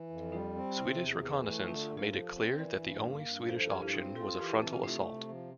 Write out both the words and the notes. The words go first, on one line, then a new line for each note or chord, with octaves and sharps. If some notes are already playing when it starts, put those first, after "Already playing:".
Swedish reconnaissance made it clear that the only Swedish option was a frontal assault.
Already playing: E3
F2
G3 D4 F4
C4
C3 E4 G4
E2
E3
A3
D3 F4 A4
F4 A4
G2
G4 A#4
F3 A4 C5
C4
E3 A#4 D5
G2
A#3
G2
F3 A4 C5
A4 C5
G2 G4 A#4
E4 G4
C4 D4 F4
F4 A4 C5
E3 G4 A#4
E4 G4
C3 C4 E4
E4 G4
A3 D4 F4
C3
F3